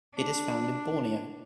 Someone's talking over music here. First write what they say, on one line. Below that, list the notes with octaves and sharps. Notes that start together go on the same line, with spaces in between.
It is found in Borneo.
D4